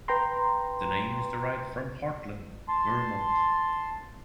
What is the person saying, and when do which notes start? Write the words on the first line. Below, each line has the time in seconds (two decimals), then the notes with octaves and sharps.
The name is derived from Hartland, Vermont.
0.08 B4 G5 A#5 C6
2.69 A5 C6